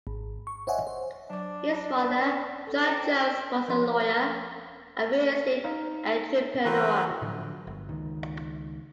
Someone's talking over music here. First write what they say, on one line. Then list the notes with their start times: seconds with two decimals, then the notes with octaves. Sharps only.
His father, John Jones, was a lawyer and real estate entrepreneur.
0.07 G#1
0.47 C#6
0.67 C5 C#5 D#5 E5 F#5 G#5
0.87 C5
1.30 F#3 D4 D6
1.97 B4
2.67 A4
2.86 C4
3.68 D#2 F3 C6
5.64 D#4 F5
6.65 E3 C4 F#4 A#4 B4
7.22 A2 D3 F3 F#3
7.67 G1
7.89 C#2 D#3